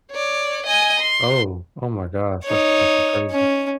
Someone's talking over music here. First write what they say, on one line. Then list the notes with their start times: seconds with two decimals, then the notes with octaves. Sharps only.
Oh, oh my gosh, that's actually crazy.
0.12 C#5 D5
0.66 D#5 G#5
1.00 C6
2.45 D#4 C#5
3.31 C#4